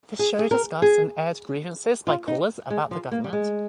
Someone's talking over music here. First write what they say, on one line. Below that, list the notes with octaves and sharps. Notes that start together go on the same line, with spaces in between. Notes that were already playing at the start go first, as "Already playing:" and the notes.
This show discussed and aired grievances by callers about the government.
G#4
G#4
A#4
G#4
F4
D#4
G#3
F3
A#3
G3
G#3